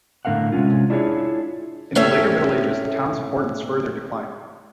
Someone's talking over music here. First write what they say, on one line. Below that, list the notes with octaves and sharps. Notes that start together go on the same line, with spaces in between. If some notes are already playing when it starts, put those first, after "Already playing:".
In the later Middle Ages the town's importance further declined.
A2 D3 C4 A#4 F5 F#5
C3 G#3 C#4 F4
D4 E4 F4 G#4 B4 C#5
A2 A3 C#4 C#5 E5